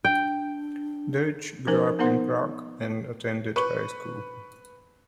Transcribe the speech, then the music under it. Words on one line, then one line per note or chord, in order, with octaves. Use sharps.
Deutsch grew up in Prague, and attended high school.
D4 G5
F3 C#4 D#4 A#4 C5
B3 D#4 A#4 C5 F#5 C6
B4 C#6